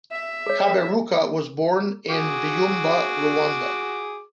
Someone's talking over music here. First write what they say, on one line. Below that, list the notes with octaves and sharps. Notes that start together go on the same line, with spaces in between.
Kaberuka was born in Byumba, Rwanda.
E5
G#4 C#5
F#4 G#4 D6